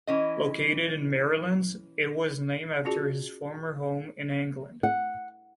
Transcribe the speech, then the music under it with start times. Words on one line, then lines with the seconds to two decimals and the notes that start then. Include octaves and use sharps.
Located in Merrylands, it was named after his former home in England.
0.07 E3 C#4 D#5
2.85 C#4 F4 F#4 G#4 D5 A5
4.83 F#5